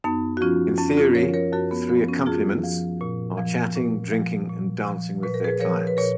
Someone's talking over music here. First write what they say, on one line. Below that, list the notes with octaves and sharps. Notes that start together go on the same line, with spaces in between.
In theory, the "three accompaniments" are chatting, drinking and dancing with their clients.
F#2 B3 D#4
F#4
F3 C#4 F4
F#2 C#4
C#4 F4
F3 A#4 C#5
A#4 C#5
F#2 F#4 A#4
B3
F3 B3
C#4
F#2 F4 G#4
F3
A#2
F3
A#2
F3
A#2
F3
A#2 B4
A#4
G#4 B4
F3 A#4 C#5
B4
A#2 A#4 C#5